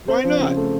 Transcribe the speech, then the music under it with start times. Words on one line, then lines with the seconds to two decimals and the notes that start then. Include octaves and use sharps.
why not?
0.08 C4 C5
0.24 F3
0.40 C#3
0.56 A3